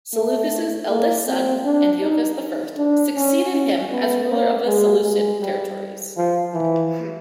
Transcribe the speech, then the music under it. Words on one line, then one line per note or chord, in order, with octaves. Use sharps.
Seleucus' eldest son Antiochus the First succeeded him as ruler of the Seleucid territories.
A3
A#3
C4
D4
D#4
D4
C#4
C#4
B3
A#3
G#3
G#3
G3
F3
E3